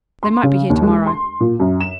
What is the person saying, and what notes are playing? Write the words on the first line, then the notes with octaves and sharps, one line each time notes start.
They might be here to-morrow.'
C6
C#3
D#2
G#3
C6
A#2
F#2
E7